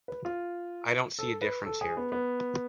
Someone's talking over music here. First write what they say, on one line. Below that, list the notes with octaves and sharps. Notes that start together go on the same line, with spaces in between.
I don't see the difference here.
B4
F4
A4
B4
A4
G#4
B3
B3